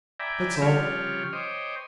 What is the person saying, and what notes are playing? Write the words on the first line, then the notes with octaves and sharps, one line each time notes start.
That's all.'
D5 E5 G5 G#5 A#5 B5
C#3 F3 G3 G4 C#5 F6
C5 C#5 D#5 G5 D6